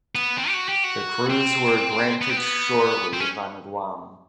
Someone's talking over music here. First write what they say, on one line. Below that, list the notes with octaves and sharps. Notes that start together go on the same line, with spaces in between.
The crews were granted shore leave on Guam.
B3
C4
G4
F#4
G4
F#4
C4
B3
C4
B3
C4
C#4